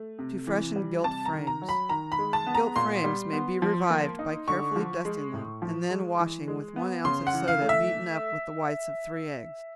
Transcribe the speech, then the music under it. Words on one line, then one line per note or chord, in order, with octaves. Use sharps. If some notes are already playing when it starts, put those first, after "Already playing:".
To Freshen Gilt Frames.--Gilt frames may be revived by carefully dusting them, and then washing with one ounce of soda beaten up with the whites of three eggs.
Already playing: A3
C3
E3
G3
C3 A5
A#5
D#3
A#5
F#3
B5
D#3 A#5
B5
G#3
A5
B3
A#5
A#2 C6
G3
B3
F3
A#3
D#4
D3 C#6
F3
G#3
A2
F3
G#3
E3
G#3
B3
C#3 C6
F#5
E3
F5
A3
E5